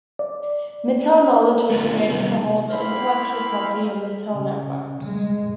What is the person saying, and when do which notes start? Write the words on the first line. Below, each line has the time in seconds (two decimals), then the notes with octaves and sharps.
Mitel Knowledge was created to hold the intellectual property of Mitel Networks.
0.19 D5
1.70 A3 B3 D4 F4
2.09 C3 D#3 G3 B3
2.70 A#3 C4 E4 C5 F5 B5
4.32 C#3
5.01 G#3